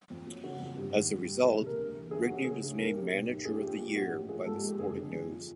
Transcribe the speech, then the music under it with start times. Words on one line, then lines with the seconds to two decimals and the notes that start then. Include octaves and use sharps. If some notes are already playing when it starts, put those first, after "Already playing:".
As a result, Rigney was named Manager of the Year by The Sporting News.
0.10 F2
0.27 F#3
0.44 C#3 F#4
0.60 F2
0.76 G1 G4
0.93 D#3
1.11 G2
1.27 G3
1.44 E1 G#4
1.55 A4
1.60 C3
1.66 A#4
1.78 D2
1.94 E3
2.11 D2 G#4
2.22 F#4
2.27 F#3
2.33 G4
2.45 C#3 G#4
2.61 D2
2.78 B1 A#4
2.94 F#3 G4
3.12 B2
3.28 B1
3.45 A#1 G#4
3.56 G4
3.62 F3
3.67 G4
3.78 A#2 G4
3.95 A#1 F#4
4.12 A1 G4
4.29 F3 G#4
4.45 G#2 A4
4.57 G4
4.63 G#3
4.68 G4
4.79 F#1 G#4
4.96 D3
5.12 F2
5.29 F3